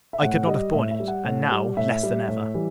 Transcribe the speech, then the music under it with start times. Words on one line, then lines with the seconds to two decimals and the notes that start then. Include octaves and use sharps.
I could not have borne it; and, now, less than ever.
0.13 E5
0.22 A2 F#5
0.47 G3 D#5
0.73 A2 E5
0.91 E5
1.00 G3
1.08 F#5
1.25 A2
1.51 G3
1.77 A2 E5
2.03 G3
2.28 A2
2.54 E3 G3